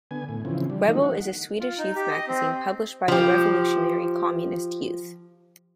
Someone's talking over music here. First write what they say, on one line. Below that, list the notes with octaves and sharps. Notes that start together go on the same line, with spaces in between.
Rebell is a Swedish youth magazine published by the Revolutionary Communist Youth.
D3 B3 G#5
A2
C#3 E3 F3 C4
G3 D4
D#3 F3 F#3 A3 A#3 D#4
F#5
F4
D#4
G4
D#5
C4
F3 G4